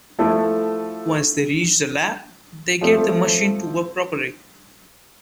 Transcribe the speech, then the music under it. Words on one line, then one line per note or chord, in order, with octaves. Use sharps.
Once they reach the lab, they get the machine to work properly.
F3 A3 E4 A4
F3 A3 C4